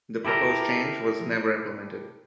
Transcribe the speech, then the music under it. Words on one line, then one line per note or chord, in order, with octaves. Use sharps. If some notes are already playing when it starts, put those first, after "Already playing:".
The proposed change was never implemented.
E4 G4 A4 A#4